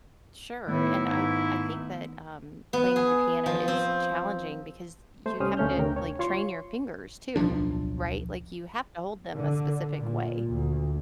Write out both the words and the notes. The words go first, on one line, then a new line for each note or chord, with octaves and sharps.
Sure. And I th I think that, um, playing the piano is challenging because you have to, like, train your fingers too, right? Like, you have to hold them a specific way
A2 D#3 A3 B3 E4
G#2
B3
G#4
F3
C4
A3 C5
C2 G3 C#4 C5 D#6 F6
D2 A3 C#4 F6 G6
D2 C3 D4 A#4 G5
C#5
F4 C#5 C6 C#6
D1 B1 F3 D4
D3
A#2
D2